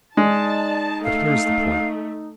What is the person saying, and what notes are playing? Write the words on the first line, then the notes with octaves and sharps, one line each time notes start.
But here is the point.
G#3 D#4 D5 A5
A3 F5